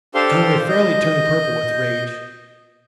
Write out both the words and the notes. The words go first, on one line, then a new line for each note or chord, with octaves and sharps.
Conway fairly turned purple with rage.
D4 G4 A4 C5 F5 C6
D#5 G6